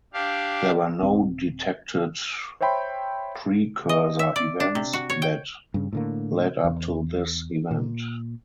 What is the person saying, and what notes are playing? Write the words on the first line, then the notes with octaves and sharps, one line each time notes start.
There were no detected precursor events that led up to this event.
D4 G4 F5
D#1 C4
C5 C#5 E5 G5 B5 C6
D#5
E5
D5
D4
C3
F#4
C#5
G5
G2 C#3
A2 D3 A#3
E2
A#2